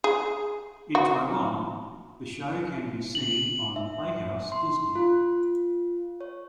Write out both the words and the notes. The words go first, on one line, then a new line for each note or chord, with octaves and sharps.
In Taiwan, the show can be seen on Playhouse Disney.
G#4
F#4
F#7
E5
C6
F4
C#5